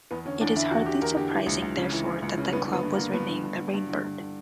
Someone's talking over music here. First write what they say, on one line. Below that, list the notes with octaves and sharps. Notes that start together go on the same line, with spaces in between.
It is hardly surprising therefore that the club was renamed the 'rain bird'.
E2 B3
D3 C#4
E2 D4
D3 E4
E2 F#4
D3 G4
E2 A#4
D3 G4
E3
C#2
C#2
C#3
E3
C#2
C#2
C#3
G2 B3
D3
B3
G2
A#3
D3
G2 B3
D3
G2
D3
G2
D3
G2
D3